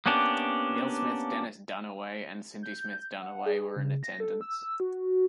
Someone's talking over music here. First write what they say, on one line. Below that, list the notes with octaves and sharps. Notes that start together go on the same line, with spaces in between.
Neal Smith, Dennis Dunaway and Cindy Smith Dunaway were in attendance.
A#3 B3 C#4 D4 G4
G6
F#5
G#4
C#3
A#6
A4
E6
F#4